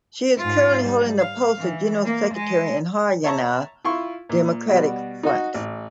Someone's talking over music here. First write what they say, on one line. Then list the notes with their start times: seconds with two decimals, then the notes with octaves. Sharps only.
She is currently holding the post of general secretary in Haryana democratic front.
0.38 G#2 F4
0.84 G3
1.19 F5
1.59 E3
2.05 A#3
2.35 G#3 D#5
3.24 C#5 E5 A5 A#5 C#6
3.85 E4 F4 C6 C#6
4.29 A#2
4.68 B2 G3 F#4
5.23 D#4 F#4
5.54 A1